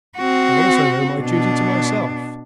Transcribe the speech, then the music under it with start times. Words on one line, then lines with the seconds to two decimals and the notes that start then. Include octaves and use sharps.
I also know my duty to myself.
0.16 C4 F#4
1.20 B2 D4